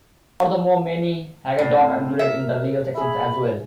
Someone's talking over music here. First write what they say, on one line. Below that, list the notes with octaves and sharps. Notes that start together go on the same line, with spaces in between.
Furthermore, many haggadot are included in the legal sections as well.
A2 D5
C4
A#4 E5
G#4 E5 B5